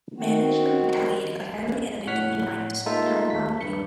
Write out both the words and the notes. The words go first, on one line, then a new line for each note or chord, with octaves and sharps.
Management retaliated by firing and evicting union miners and hiring non-union labour.
D#3 C4 F#4
A2 C#5 F#5 F6 B6
G#3 A#3 D#4 F4 A4 E5
D#2 B6
G2 C#7